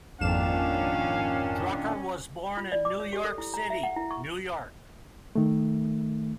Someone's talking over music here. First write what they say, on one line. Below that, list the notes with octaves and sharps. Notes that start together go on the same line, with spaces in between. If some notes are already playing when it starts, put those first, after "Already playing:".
Drucker was born in New York City, New York.
G#1 F2 A#2 D#3 C#4 D4 F5 E7
F4
D5
D6
C#5
G4
A4
E4
A#5
E5
F#5
E4
C#6
D#3 A3